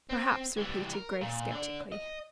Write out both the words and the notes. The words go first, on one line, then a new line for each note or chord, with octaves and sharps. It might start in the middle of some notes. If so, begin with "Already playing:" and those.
"Perhaps," repeated Grace sceptically.
C4
E3 G3
A#4
A#2
D3 D5
D#5